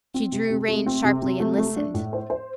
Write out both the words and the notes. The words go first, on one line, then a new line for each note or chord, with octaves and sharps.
She drew rein sharply and listened.
C4
C3
C3
A3
C4
C3
C3
A3
A3
D4
A2
C5
C5